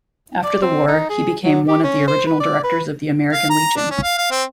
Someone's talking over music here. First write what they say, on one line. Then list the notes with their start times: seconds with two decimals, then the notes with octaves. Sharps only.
After the war, he became one of the original directors of the American Legion.
0.44 D5
0.62 C4
0.88 D#4
1.09 G#4
1.44 F#3
1.68 G4
1.84 C#4
2.08 C5
2.27 B4
2.40 D5
2.64 B4
3.33 F5
3.50 A#5
3.77 D4
3.91 C#4
4.03 F5
4.18 F5
4.31 C4